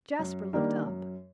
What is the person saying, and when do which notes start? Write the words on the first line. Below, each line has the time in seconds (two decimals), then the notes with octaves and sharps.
Jasper looked up.
0.19 F#2
0.53 D#3 G3 A#3 D4
0.86 F#2